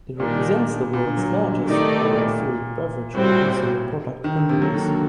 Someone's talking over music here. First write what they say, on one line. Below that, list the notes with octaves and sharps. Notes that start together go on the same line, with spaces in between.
It represents the world's largest branded food, beverage and consumer product companies.
A#2 D#3 G3 A#3 D4
A#2
D3
F#3
G3
D3
C3 D#3 A3 D#4 A4 D5
A2
A#2
A#2
A#2
A2 G3 C4 F#4 C5
A#2
C3
D#3
D3
C3
F#3 A#3 F#4 A4
D#3
D3